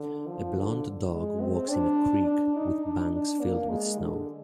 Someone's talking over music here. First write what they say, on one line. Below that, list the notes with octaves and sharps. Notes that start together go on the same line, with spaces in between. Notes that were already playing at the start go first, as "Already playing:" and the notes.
A blond dog walks in a creek with banks filled with snow.
Already playing: D3
F3
D3
G#3
C4
D4
D4
D#4
D4
D4
A#3
G#3
D3